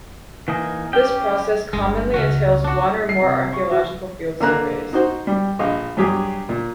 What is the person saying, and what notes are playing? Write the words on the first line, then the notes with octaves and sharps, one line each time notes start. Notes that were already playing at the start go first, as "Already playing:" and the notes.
This process commonly entails one or more archaeological field surveys.
E3 A#3 D#4 G#5
C#4 G4 G5
G1 G2 G#3
C#2 C#4 F#4
D4 F#4
C7
C3
C#6
F#4
D3 A#3 A#5 F#6
D#4 F#4 C5
G3
A#1 D#5 F5
G2 F#3 G4 G#4 D#6
A#2